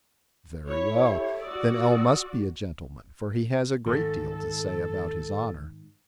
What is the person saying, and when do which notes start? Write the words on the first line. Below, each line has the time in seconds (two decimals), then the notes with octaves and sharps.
"Very well; then L--must be a gentleman, for he has a great deal to say about his honour."
0.67 E4 C#5
1.05 G4 A4 E5
1.41 F#4 D5 D#6 E6
3.86 G#2 D#3 A4